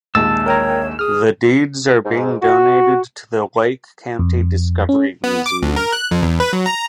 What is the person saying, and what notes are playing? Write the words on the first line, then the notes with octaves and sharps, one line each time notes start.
The deeds are being donated to the Lake County Discovery Museum.
A#1 D#2 G#3 A5 E6 A6
A#4 C#5 G5 A#5
G#4 D#6 F6
G#2
F#4
F2
C#4
B3
D6
D2
A#4
F#6
F2
E2
B4
F#3
A#5